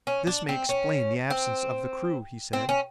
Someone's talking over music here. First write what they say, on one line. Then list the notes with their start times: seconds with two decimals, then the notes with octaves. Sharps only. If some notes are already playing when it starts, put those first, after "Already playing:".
"This may explain the absence of the crew," he said.
0.07 C#4
0.27 D4
0.49 C4
0.69 C#4
1.30 C4
2.53 C4
2.69 C#4